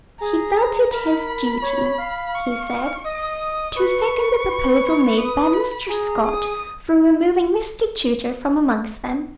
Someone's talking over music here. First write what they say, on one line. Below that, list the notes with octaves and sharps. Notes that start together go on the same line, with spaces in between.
'He felt it his duty,' he said, 'to second the proposal made by Mr. Scott for removing Mr. Tudor from amongst them.
G#4 A#5
A#4 B5
C#5
F5
C#6
D#5 D#6
B4 C#6
D#6
B5
G#4 A#5
D#6